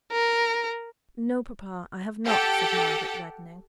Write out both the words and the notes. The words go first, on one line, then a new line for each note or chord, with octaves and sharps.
'No, papa; I have not,' said Margaret, reddening.
A#4
G4 A4 F#5 G5